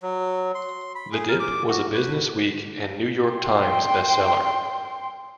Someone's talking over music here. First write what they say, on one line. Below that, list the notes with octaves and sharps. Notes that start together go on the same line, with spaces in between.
"The Dip" was a "Business Week" and "New York Times" bestseller.
F#3
C6
B5
G#4
A#4
D6
F#4
B4
G5 C6